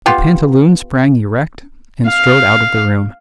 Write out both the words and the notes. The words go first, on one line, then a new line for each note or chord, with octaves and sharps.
The pantaloon sprang erect and strode out of the room.
B3 F4 G4
F5